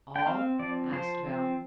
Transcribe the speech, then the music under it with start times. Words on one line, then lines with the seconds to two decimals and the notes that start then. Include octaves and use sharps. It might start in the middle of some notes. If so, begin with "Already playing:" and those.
"All?" asked Bell.
0.16 G5
0.26 C4 F5
0.59 F3 D5
0.93 F3 C5
1.26 C4